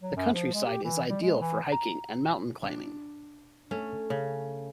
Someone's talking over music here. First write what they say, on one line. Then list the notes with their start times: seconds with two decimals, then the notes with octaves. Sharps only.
The countryside is ideal for hiking and mountain climbing.
0.01 F#3
0.16 F#2
0.33 F3
0.54 G#3
0.66 G4
0.83 E3
1.09 G3
1.22 G#3
1.40 E3
1.72 A#5
2.65 D4
3.71 A3 C#4
4.10 C#3